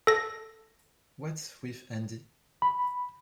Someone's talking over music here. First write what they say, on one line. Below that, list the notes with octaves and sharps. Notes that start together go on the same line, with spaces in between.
What's with Andy?
A4 A#6
B5